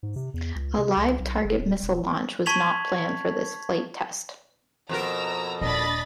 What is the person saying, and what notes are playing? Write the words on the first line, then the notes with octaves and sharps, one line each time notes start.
A live target missile launch was not planned for this flight test.
G#2
C3
E2
C#2
C3
C#2
B1
F#1
D1
E1
A5 C#6 G#6 B6 F7 F#7
F2 B2 A#4 A#5 E6
D#1 A#3 D4 D#5 B5 A6